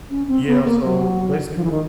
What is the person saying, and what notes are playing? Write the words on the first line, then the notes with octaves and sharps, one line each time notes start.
Yeah, so basically
C#4
C4
B3
A#3
F#3
F3
E3
D#3